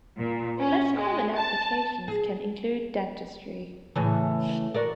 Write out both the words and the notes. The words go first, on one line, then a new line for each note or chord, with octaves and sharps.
Less common applications can include dentistry.
A#2
C#4
G#3
A5
G#4
A2 C#3 E3
F#4 A#4 D5